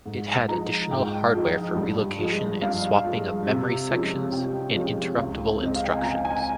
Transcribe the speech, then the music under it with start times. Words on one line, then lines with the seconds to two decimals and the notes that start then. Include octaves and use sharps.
It had additional hardware for relocation and swapping of memory sections, and interruptible instructions.
0.06 G#2
0.48 F3 G#3 D#4 A#5
0.91 G#2 G5
1.34 F3 G#3 D#4
1.76 G2
2.19 F3 G#3
2.62 G2 F5
3.04 F3 G#3
3.47 C3
3.89 F3 G#3 C#4 F4
4.32 C3 G5
4.75 F3 G#3 C#4 F4
5.18 C#2
5.60 C#3 G#3 C4
5.66 D#5
5.76 F5
5.84 G5
5.93 G#5
6.02 C#2 A#5
6.25 G#5